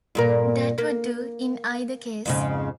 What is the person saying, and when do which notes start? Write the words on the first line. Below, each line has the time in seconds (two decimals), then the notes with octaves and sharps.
That would do in either case.
0.15 G2 A#2 A#4
0.78 A#3
2.26 F2 G#2 C#3